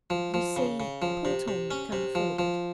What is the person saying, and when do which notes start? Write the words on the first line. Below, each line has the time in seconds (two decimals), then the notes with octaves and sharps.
"You see, poor Tom can't afford it."
0.10 F3
0.34 F3
0.56 C#3
0.80 C#3
1.02 F3
1.25 C3
1.48 C3
1.71 C#4
1.92 C3
2.15 F3
2.39 F3